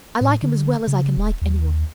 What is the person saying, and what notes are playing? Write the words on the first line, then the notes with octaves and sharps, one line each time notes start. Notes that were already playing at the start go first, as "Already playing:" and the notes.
I like him as well as I can like any one.
A2
D3
C#3
D#1
D#2